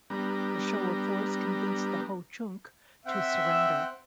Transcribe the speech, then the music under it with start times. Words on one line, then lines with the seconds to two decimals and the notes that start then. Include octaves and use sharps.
The show of force convinced the Ho-Chunk to surrender.
0.10 G3 B3 D4 A#5
3.06 C4 E5 F#5 G5